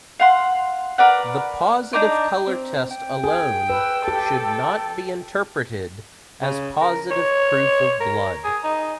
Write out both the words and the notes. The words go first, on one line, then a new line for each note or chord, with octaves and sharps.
The positive color test alone should not be interpreted as positive proof of blood.
F5 F#5 C6
A#4 B4 D5 F#5
D4 D#4 A#5 D6
C4
G5
G#4
B4 E6
G4 A4
C#3
A#4
C#5
A#4
G#4
D#4